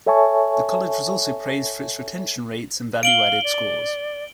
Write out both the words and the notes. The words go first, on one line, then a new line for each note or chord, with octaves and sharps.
The College was also praised for its retention rates and value-added scores.
A4 C#5 E5 G#5 A5 C#6
F5 D7 F#7 G7
D5